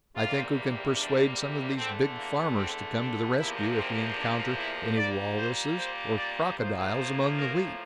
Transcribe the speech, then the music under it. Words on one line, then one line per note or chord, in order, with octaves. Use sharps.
I think we can persuade some of these big farmers to come to the rescue if we encounter any walruses or crocodiles among the wheat.
E2 C3 G3 A#3 F4
D4
E2 D3 A3 C4
A#3
C4
D4
E2 C3 F3 A#3 E4
C4
D4
E4
A#2 G3 A#3 D5
C5
C5
D5
A2 F3 A#3 C5
C5
A#4